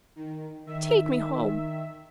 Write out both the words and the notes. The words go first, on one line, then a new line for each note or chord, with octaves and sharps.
Take me home!
D#3
D#3 E5